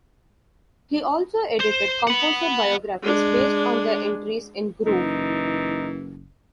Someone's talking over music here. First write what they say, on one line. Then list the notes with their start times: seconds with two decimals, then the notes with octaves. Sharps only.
He also edited composer biographies based on the entries in "Grove".
1.60 C5
2.07 F#5 B5
3.02 G#3 D4
4.86 F#1 E3 D#4